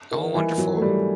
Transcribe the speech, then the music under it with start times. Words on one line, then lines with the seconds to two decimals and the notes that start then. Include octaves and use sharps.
Oh, wonderful.
0.11 D#3
0.35 E3
0.58 F#3
0.77 A3
0.82 G3